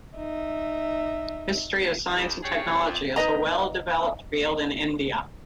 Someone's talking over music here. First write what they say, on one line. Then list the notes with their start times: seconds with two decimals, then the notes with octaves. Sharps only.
History of science and technology is a well developed field in India.
0.17 D#4 E5
2.15 E2
2.43 C#4 D4 G4 G#4 C#5
2.85 F2
3.16 D#4 B4 D#5 A#5